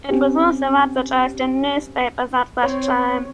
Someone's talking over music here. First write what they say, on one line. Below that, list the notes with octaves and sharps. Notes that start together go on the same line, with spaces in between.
It was also advertised in newspapers at that time.
C4 C#4 G4
C4 C#5